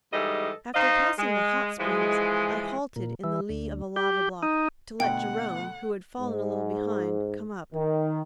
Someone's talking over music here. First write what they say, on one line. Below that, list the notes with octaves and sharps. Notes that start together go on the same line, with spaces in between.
After passing the "Hot Springs" I halted in the lee of a lava-block to let Jerome, who had fallen a little behind, come up.
G#2 E3 G3 A4 D#5
D#4 C5 D#5 F5
G#3
E3 F3 G#3
A#2
E3
D2
G4
D#4
D2 B2 F#5 G5
G#2
D#3